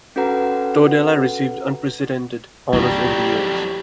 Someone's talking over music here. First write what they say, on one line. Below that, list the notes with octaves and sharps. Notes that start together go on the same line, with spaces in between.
Tordella received unprecedented honors over the years.
C#4 F#4 A4 B4 F#5 A#5
F2 F#3 G3 E4